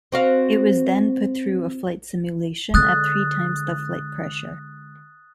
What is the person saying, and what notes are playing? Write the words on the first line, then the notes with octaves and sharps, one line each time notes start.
It was then put through a flight simulation at three times the flight pressure.
C4 F#4 F5
D3 G#3 D#6 F#6 A6